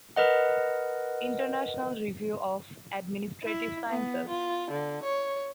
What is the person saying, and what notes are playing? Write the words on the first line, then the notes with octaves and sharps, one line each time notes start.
International Review of Administrative Sciences.
A#4 B4 D#5 F#5
E4
B3
F4
D3
C#5